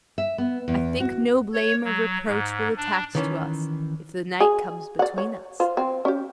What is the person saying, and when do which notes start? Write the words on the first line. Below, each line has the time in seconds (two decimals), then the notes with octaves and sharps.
I think no blame or reproach will attach to us if the night comes between us.
0.18 E5
0.38 B3
0.68 E2
1.00 F#4
1.53 C#5
1.84 F#3
2.26 G#2
2.77 D4
3.15 D#3 E3 C#4
4.41 G#4
4.99 D5 F#5
5.18 C#5
5.60 F4 C5
5.77 C4
6.05 C#4 G4